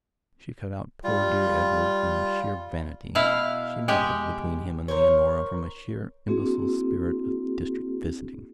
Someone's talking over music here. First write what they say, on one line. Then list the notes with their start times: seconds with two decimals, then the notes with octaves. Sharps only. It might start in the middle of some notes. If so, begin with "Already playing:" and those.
She cut out poor dear Edward from sheer vanity; she meddled between him and Leonora from a sheer, imbecile spirit of district visiting.
1.04 G3 F4
3.15 B2 E4 F5
3.88 G#3 G4 G5
4.88 A#4 C5 C#5
6.28 A#3 C4 D4 E4 F#4 G#4